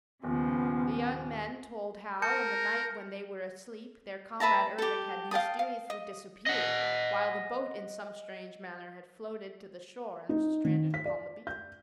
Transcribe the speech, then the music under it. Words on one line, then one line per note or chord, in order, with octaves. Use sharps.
The young men told how, in the night when they were asleep, their comrade Ervic had mysteriously disappeared, while the boat in some strange manner had floated to the shore and stranded upon the beach.
D#1 C#3 F3 B3
A#4 A5 G6 C#7
B4 E5 A5 A#5
G4 A4
F5 G5 A5 D#6
F5
D#5
D#5 F#5
D#4
D#3
B6
D5
G6